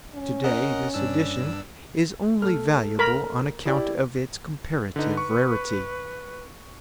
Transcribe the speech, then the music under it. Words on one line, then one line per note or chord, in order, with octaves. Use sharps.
To-day this edition is only valuable on account of its comparative rarity.
C#4
A#4 D#5 F#5
G2 D4 E6
A3 F6
A#4 B5
E4 G4 D5
D3 D#4 B4
C#6